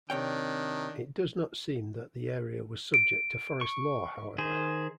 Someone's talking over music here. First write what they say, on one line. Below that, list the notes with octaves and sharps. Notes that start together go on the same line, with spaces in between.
It does not seem that the area was subject to forest law however.
C3 D#3 D4 C#5 G5
D7
C#6
D#3 G#4 C5